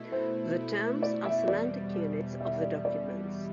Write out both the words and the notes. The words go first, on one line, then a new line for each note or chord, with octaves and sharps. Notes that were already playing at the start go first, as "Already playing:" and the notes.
The terms are semantic units of the documents.
Already playing: B2 A3 E4
C5
D5
E5
E2 B2 G3 D5
E5
D5
D5